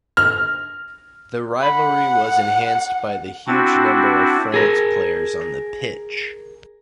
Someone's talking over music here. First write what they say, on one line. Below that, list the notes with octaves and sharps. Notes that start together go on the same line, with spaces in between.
The rivalry was enhanced by the huge number of France players on the pitch.
F6
F#5 B5
C4 D4 E4 F#4
G#4 A#4